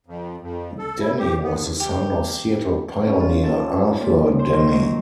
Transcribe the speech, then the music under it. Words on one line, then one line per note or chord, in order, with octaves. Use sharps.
Denny was the son of Seattle pioneer Arthur Denny.
F2
F2
A4
E4
G4
B3
G4
C#4
F4
A4
A#2
C5
D#3
F#3